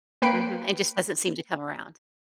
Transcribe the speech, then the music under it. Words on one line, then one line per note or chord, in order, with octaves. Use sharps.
Mhm, it just doesn't seem to come around.
A#3 B4 G5 B5 C7 D7